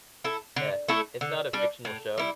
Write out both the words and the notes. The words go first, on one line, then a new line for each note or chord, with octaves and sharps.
Yeah, it's not a fictional show.
E4 A4
D3
A3 E4 A4
D3
G3 D4
A2
G3 E4